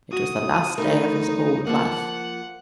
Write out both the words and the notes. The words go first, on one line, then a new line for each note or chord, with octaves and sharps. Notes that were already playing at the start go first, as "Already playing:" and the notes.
It was the last day of his old life.
F#4 D#6
E2 A3 D#4 A#4
F3 A#3 F#5